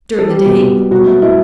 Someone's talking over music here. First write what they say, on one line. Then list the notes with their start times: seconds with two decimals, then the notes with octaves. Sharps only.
"During the day?"
0.19 A4
0.30 G3 G4
0.45 B2
0.61 B2
0.76 G3
0.91 B2 F#3 F#4
1.06 A3
1.22 A3 E4